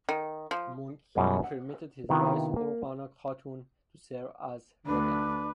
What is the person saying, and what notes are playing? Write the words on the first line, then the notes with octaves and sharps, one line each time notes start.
Mongke permitted his wife Orghana Khatun to serve as regent.
D#3
F3
F#2 B2 G3 G#3
F#5
C3 D#3 B3 E4 F4
A#3
D2 D4 B4